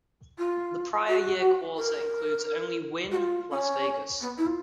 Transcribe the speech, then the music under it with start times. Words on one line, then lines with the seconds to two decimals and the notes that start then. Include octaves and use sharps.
The prior year quarter includes only Wynn Las Vegas.
0.38 F4
1.08 F#4
1.77 A#4
3.11 F#4
3.16 F4
3.50 C#4
4.20 B3
4.37 E4
4.46 F4